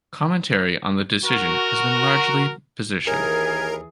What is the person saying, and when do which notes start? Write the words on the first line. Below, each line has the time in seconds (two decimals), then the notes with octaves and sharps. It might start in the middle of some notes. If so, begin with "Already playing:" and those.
Commentary on the decision has been largely position.
1.25 F#4 A#4
3.07 D#2 E3 G#4 A#4 G#5